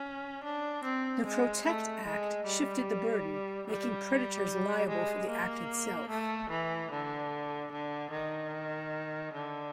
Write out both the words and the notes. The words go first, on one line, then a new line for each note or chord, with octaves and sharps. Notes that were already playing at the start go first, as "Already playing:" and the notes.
The Protect Act shifted the burden, making predators liable for the act itself.
Already playing: C#4
D4
C4
G#3
A3
G#3
G3
G3
G#3
A#3
A3
E3
D3
D3
D#3
D3